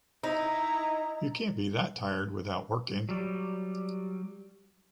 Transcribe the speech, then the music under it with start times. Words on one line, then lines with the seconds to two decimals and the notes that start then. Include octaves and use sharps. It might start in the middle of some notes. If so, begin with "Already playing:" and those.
You can’t be that tired without working.
0.24 D#4 E4 A#5
3.09 F#3 G3